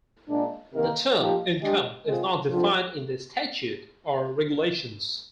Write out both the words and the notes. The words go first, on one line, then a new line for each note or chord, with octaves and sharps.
The term "income" is not defined in the statute or regulations.
A#2 G#3 D4
C3 D#3 A#3 D#4 A#4
A#2 F3 A#3 D#4 G4
G#3 D4 G4
G#3 C4 F4
D3 F3 C4 F4